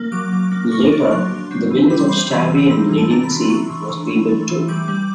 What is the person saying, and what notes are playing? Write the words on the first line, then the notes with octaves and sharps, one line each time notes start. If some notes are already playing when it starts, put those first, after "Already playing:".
Later, the village of Stari Ledinci was rebuilt too.
Already playing: A#3
F#3 D6
F#3
A#3
A#3 C#6
D4
F#3 C6
F#3
C4
E3
G3 B5
C6
C4 B5
E3 B5
E3
E3 A#5
E3
A5
D4 A#5
B5
E3
C6
E3 C#6
E3
E3
E3
A3
E3
G3 D6
G3